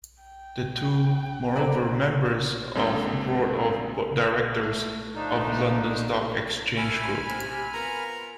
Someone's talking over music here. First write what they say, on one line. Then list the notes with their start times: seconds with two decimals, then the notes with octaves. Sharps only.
The two, moreover, members of the Board of Directors of London Stock Exchange Group.
0.24 G5
1.56 F#3 A#3 A#4 C5 D5
2.75 F#2 D3 G#3 A#3 C4
4.63 A3
5.15 D3 F3 A3 D4 D#4
6.77 A3 D4 E4 G#5 B5 F6
7.29 C3
7.74 B3 F4 A#4